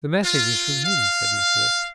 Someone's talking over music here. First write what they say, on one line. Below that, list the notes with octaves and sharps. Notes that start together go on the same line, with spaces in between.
'The message is from him,' said Nicholas.
F4
F5